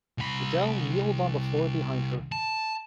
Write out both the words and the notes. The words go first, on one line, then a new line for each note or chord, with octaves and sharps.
Adele kneeled on the floor behind her.
C2 B5
A5